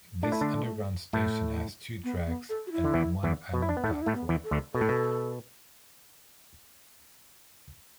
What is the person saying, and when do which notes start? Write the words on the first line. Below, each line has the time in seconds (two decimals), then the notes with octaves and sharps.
This underground station has two tracks and one island platform.
0.23 A3 D4
0.32 E4
0.41 D3 D4
1.13 A2 A3
2.04 B3
2.26 B3
2.49 A4
2.67 F#4
2.72 E4
2.84 D3
2.94 E2 E3
3.23 E2 E3
3.54 B2
3.62 E4
3.69 D4
3.77 B3
3.84 A2 A3 E4
3.93 D4
4.02 E4
4.06 A2 A3
4.14 B3
4.29 E2 E3
4.44 A4
4.51 D2 D3
4.74 B2 A4
4.81 A2
4.89 B2